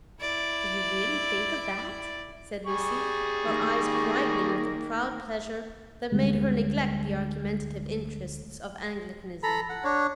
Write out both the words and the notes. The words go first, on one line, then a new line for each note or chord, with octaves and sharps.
"Do you really think of that?" said Lucy, her eyes brightening with a proud pleasure that made her neglect the argumentative interests of Anglicanism.
E4 D5
G3 G#4 C#6
D#3 A#3
D2 G3 G#3
A4 A#5 B5
F#5
D4 C#5